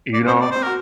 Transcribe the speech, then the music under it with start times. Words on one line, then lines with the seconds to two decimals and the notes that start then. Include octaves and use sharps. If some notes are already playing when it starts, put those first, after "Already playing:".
you know,
0.14 D5
0.27 C4 C5
0.41 D5
0.52 C4 C5
0.63 F#4 A#4